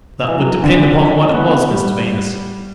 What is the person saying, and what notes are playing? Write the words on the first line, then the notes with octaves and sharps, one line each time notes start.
'That would depend upon what it was, Mr Venus.
E3
F#3
E3
D3
C#4
C#4
B3
G3